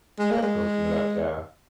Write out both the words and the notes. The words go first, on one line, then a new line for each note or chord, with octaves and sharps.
Kept building it up, yeah.
G#3
A#3
G#3